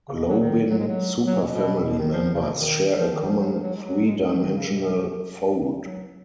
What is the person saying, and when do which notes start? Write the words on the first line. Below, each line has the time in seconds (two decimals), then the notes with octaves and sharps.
Globin superfamily members share a common three-dimensional fold.
0.08 C#3
0.14 B2
0.27 F#3
0.41 D#3
0.70 F#3
0.79 G#3
0.88 F#3
1.26 F#3
1.41 B2
1.55 B2
1.84 B2
1.98 D#3
2.12 F3
2.34 C#3
2.40 B2
2.55 D#3
2.98 F3
3.12 D#3
3.26 F3
3.40 F#3
3.52 F3
3.62 F#3
3.76 G#3
3.83 F#3
4.06 G#3
4.18 F#3
4.28 F3
4.40 D#3
4.55 C#3
4.69 B2
4.97 F3
5.82 F#3